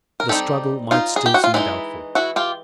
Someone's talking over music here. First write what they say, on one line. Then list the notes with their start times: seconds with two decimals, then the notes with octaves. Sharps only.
The struggle might still seem doubtful.
0.20 A#4
0.29 G3 C4 D#4 G4 A4
0.91 D#4 F4
1.16 G#4
1.26 G4
1.34 F#4
1.44 F4
1.54 E3 G#3 C4 D#4 E4
2.15 E4 F#4
2.36 F4 G4